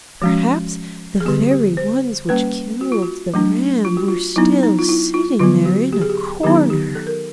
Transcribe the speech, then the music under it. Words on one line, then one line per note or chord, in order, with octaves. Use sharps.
Perhaps the very ones which killed the ram were still sitting there in a corner.
F3 G#3 C#4 F#4
G#4
D3 G3 B3 G4
G4
C5
G3 A#3 C#4 B4
F#4
F4
F#4
F#3 A3 D4
F4
F#4
F4
F#3 B3 D#4 E4
D#4
F4
E4
F4
D3 F#3 B3 F4
F#4
G4
G#4
G4
D#3 F#3 B3 D#4 G4
G4
A4
A#4